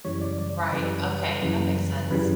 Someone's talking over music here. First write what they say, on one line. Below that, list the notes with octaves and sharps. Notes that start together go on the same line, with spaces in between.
Right. Okay, that makes sense.
F#2 C#3 E3 G3 C#5
D5
D5
F#2 C#3 E3 G3 B4
F#2 C#3 E3 G3
F#2 C#3 E3 G3 B4